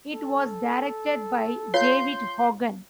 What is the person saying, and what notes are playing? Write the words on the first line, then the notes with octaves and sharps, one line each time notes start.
It was directed by David Hogan.
A4
F4 C#5 F5 C6 G6